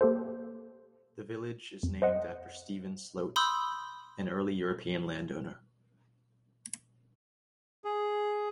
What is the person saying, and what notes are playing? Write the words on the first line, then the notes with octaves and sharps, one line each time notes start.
The village is named after Stephen Sloat, an early European landowner.
A#3 G4 A4 C5
F2
C5 D#5 F#5
B5 C6 D#6 E6 G6
G#4